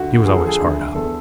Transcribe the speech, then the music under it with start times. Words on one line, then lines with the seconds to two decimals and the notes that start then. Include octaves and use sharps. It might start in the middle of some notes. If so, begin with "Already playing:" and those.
He was always hard up.
Already playing: D2 D3 F#4
0.25 F3 G#4
0.36 A4
0.46 G#4
0.60 D2
0.94 E2 A4